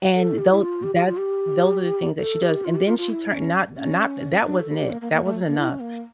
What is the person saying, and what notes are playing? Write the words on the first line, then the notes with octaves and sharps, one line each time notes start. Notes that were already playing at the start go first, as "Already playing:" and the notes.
And though that's those are the things that she does. And then she turn not not that wasn't it, that wasn't enough.
A4
G4
E4
F4
G4
G4
F4
G4
A4
G4
F4
G4
F4
F4
E4
C#4
C#4
D4
A4
G4
A#3
A#3
A#3
A3
A#3
E4
C#4
A#3